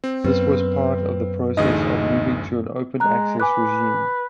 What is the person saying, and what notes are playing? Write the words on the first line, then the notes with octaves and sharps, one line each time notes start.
This was part of the process of moving to an open access regime.
C4
F#2 B3 B4
A1 D2 D#4 G#4 D#5
G#3 A#5 F#6
B4 G#5 D6 F#6